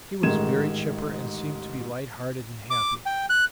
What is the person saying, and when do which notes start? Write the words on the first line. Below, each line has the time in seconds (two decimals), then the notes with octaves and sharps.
He was very chipper, and seemed to be light-hearted and happy.
0.23 A1 G#2 D#3 G#6 E7
2.71 D6
3.06 G5
3.30 F#6